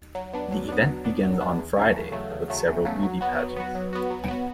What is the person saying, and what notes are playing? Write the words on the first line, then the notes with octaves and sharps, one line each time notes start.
The event begins on Friday with several beauty pageants.
F#3
B3 D4
F#3
B3 D4
F#3
B3 D4
F#3
B3 D4
E2
C#3 F#3 A3
E2
C#3 F#3 A3
E2
C#3 F#3 A3
E2
C#3 F#3 A3
F#3
B3 F#4
F#3
B3 F#4
F#3
B3 F#4
F#3
B3 F#4